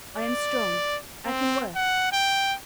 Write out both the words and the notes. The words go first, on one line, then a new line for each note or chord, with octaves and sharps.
I am strong. I can work.
D5
C4
F#5
G5